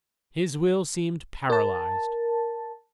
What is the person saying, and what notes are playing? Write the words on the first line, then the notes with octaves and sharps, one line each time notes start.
His will seemed paralysed.
A#4 A5